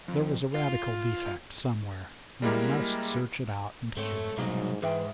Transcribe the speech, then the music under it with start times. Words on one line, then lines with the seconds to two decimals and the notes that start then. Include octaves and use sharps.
There was a radical defect somewhere, and I must search it out and cure it.
0.08 F2
0.54 F4
2.42 G3 G#3 A#3 E4 G4 A#4
3.97 G#2 A3 C4 C#5
4.38 C2 G#2 B2 F#3 A#3 G#4
4.82 G#2 E3 G#4 B4 E5 G5